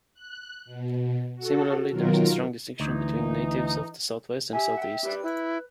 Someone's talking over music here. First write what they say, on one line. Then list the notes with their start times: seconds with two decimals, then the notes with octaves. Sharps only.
Similarly, there is a strong distinction between natives of the south-west and south-east.
0.14 F#6
0.65 B2
1.36 F#4 A4
1.91 B2 D#3 F#3 F4 A#4
2.80 D2 E3 D#4
4.53 G4 E5 G#5
4.77 F#5 G5
5.03 G4 B4 D5
5.23 E4 B4